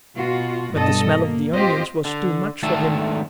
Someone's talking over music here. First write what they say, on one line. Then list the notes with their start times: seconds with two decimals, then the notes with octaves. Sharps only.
But the smell of the onions was too much for him!
0.15 B2 F4 F#4
0.71 G2 B2 A4 D#5
1.17 A#3
1.53 C4 F4 G4 C5 D#5
2.05 D3
2.63 G#2 D#3 A3 D4 A4 E5